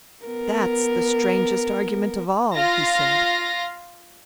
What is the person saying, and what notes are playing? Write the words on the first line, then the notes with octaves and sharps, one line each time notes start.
"That's the strangest argument of all," he said.
B3 A#4
F4 F5 A#6